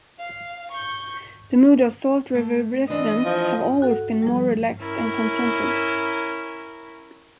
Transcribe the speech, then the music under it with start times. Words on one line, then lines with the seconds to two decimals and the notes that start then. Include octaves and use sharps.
The mood of Salt River residents have always been more relaxed and contented.
0.19 F5
0.71 C#6 G6
2.35 A3
2.90 E3 C4 D4 D#5
3.25 F3
3.82 F#4 A4 F#5
4.22 F3 G3
4.81 C#4 E4 A#4